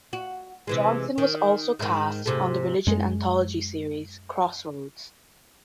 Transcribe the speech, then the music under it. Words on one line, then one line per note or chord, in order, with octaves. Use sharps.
Johnson was also cast on the religion anthology series "Crossroads".
F#4
C3 E3 G#3
D#3
G#2 D#3
G#2 C3 A3
F#2 G#3